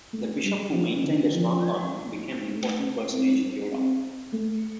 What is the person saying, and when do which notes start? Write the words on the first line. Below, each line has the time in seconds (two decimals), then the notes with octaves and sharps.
The bishop, who maintained a strong army, became an important personage in Europe.
0.13 A3
0.44 G3
0.74 F3
1.04 D3
1.34 F3
2.53 A3
3.12 C4
3.72 C4
4.33 A3